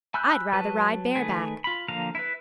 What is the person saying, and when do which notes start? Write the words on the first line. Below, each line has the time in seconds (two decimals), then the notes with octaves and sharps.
I'd rather ride bareback.
0.14 G#5 B5 E6 F#6 G6
0.53 F#3 B4 A5
1.15 D#3 A3 G#4 B4 G#5
1.64 F4 B5
1.88 D3 F3 A#3 F5 A#5
2.15 E4 B4